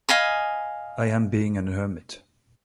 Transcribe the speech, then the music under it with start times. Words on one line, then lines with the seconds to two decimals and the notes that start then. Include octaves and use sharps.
I am being an hermit.
0.09 D#5 F5 G#5 B5